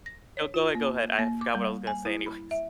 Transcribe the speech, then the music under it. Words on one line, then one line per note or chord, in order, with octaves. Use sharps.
No, go ahead, go ahead. I forgot what I was gonna say anyways.
A#6
C#5
F4
A#3
A#3
D6
G3
G#5
E4
B5
E5